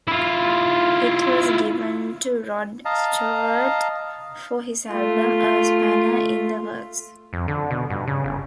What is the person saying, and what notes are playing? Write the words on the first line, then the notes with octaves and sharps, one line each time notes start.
It was given to Rod Stewart for his album, "A Spanner in the Works".
E4 F4
D#5 F5 A5 A#5
A3 F4
F2
D3
B2
G2
C#3
G1